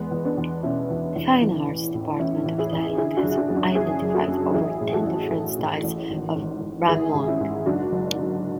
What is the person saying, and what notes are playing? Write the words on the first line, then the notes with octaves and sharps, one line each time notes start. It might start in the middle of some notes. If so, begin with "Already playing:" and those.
The fine arts department of Thailand has identified over ten different styles of "ramwong".
Already playing: E2 G#3 B3
E2
B3 D4
E2
B2 C#4 E4
E2
E2
E3
A1
A2
E3 C#4 E4
E3
E4 G#4
A1
D3 E4 G#4
D4 F#4
F#1
E4
D4 F#4
F#2 G#4
D4 F#4
F#2 E4 G#4
F#1
F#4 A4
F#2
A1 E4 G#4
A2
F#4 A4
A1
A1
A2
A1
G#1
G#1
G#1
G#1 E4 G#4
G#2
C#4 E4
G#2
F#1 D4 F#4
F#1
D3